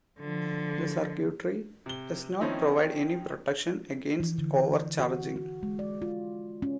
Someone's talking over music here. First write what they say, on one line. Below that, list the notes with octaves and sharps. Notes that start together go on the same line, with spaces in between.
This circuitry does not provide any protection against over-charging.
D3 F3
C3 G7
D#3 F3 C4 C#4 D#4 E4
E3
D3
F#4
F#4
G#3
D5
F4
C#4